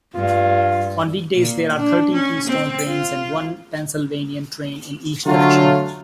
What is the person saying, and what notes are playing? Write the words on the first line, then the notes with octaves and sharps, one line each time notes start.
On weekdays there are thirteen Keystone trains and one "Pennsylvanian" train in each direction.
G2 F4
A#2
D4
C#4
C4
F4
D3 F#3 A3 F4